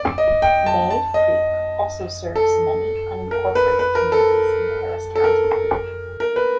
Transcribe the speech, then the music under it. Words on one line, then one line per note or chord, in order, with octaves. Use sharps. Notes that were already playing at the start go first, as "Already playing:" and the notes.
Mayde Creek also serves many unincorporated communities in Harris County.
Already playing: D5
D#5
G5
A5
A5
D#5
A4
A#4
B4
B4
A#4
A4
A4
A#4
A#4
B4